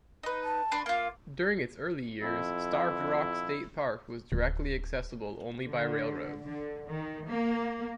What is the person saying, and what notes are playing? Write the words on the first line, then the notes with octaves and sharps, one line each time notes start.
During its early years, Starved Rock State Park was directly accessible only by railroad.
D#4 B4
A5
D4 B4 C6
A#3 F4 F5
F2 E4
D1
D3
D3
D#3
A#3